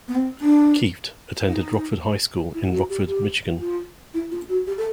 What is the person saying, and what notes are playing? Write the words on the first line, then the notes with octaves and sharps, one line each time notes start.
Kieft attended Rockford High School in Rockford, Michigan.
B3
C4
D4
D#4
E4
F#4
G4
G4
F4
E4
F4
F#4
G4
A4